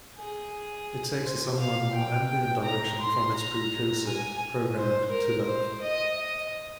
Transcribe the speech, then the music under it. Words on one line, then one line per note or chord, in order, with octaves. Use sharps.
It takes a somewhat more ambient direction from its precursor, Programmed to Love.
G#4
C5
F5
G5
A#5
C6
A#5
G#5
C5
A#4
C5
D#5
D#5